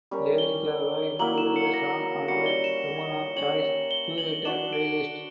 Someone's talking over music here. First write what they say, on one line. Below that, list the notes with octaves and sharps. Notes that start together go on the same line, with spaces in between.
Lady Gaga included the song on her "Women of Choice" curated playlist.
G3 C#4 G4 A#4
G7
F#3 A#3 E4 A#4 F#7
E7
C#7
A#6
G3 C#4 F#4 C#7
G7
E7
C#4 G4 C#5 F#7
G7
F#7
D4 F#4 B4 E7
D7